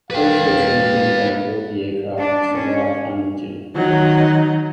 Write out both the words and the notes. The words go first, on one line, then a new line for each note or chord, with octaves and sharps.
All fourteen people on board the aircraft survived uninjured.
B4 F5 G5
D4
C#4
D#3 F#3 D#4